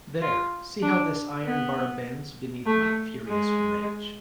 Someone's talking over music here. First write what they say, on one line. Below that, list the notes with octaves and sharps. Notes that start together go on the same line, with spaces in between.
There — see how this iron bar bends beneath my furious wrench.
F4
D4
B3
A3
G#3